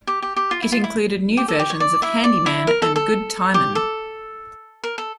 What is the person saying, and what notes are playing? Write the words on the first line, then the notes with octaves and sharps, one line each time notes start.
It included new versions of "Handy Man" and "Good Timin'".
G4
G4
G4
F4
E4
F4
E4
G4
A4
G4
C#5
D5
E4 E5
D5
E4 E5
A#4
A4
A4
G4
A4
A#4
A4